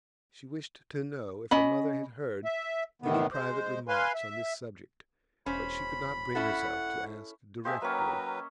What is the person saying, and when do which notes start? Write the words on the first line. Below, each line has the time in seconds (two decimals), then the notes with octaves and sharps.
She wished to know if her mother had heard any private remarks on this subject, but she could not bring herself to ask directly.
1.51 C#4 D#5 B5
2.45 E5
3.02 A2 C3 D#3 B3
3.33 G#3 C5
3.88 B4 F5 G#5 C6
4.14 E5
5.46 E1 C#4 C5 B5
6.35 C#4 E4 A4 F#5
7.65 A#3 G4 C5 D#5 E5 G#5 A5
7.82 F#3 A#3 C#4 B4 G5 A#5